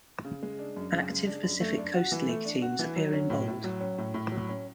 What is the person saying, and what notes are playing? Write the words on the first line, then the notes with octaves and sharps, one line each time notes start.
Active Pacific Coast League teams appear in bold.
C#3
G#3
D4
F#2
C#3
G#3
D4
F#2
A3
D4
F#4
E3
A3
D4
F#4
E3
F#3
C#4
A2
A2
F#3
C#4
A2
A2
F#3
C#4